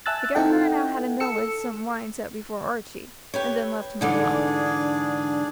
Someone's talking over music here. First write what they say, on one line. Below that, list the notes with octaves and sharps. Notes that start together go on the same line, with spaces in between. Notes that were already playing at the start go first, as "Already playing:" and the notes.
The governor now had a meal with some wine set before Archie, and then left him alone.
E5 G#5 A5 E6 F#6 A6
C4 D#4 E4 A4 F#5 G5
A4 E6 C#7
G4 B4 C#5
G#2 D3 E3 D4 G#4